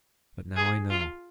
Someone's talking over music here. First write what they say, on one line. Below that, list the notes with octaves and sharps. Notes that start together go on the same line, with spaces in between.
But now I know.
G#4
F4